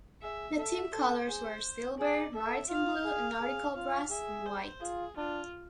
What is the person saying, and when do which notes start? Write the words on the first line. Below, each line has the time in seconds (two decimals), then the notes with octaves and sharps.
The team colours were silver, maritime blue, nautical brass, and white.
0.22 G#4 E5
0.57 A4 E5
0.92 A4 C5
1.28 G#4
1.98 G#4 D5
2.35 A4 E5
2.69 F4 F5
3.05 G#4
3.40 G#4
3.75 F4 F5
4.10 G#4 E5
4.46 C5
4.81 F4 G#4
5.17 D4 F4